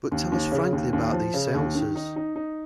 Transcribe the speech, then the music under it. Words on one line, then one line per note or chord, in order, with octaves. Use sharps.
But tell us frankly about these seances.
D#2
D#2
C#3
D#2
D#2
F3
C#3
D#2
D#3
D#4
D#4
D#4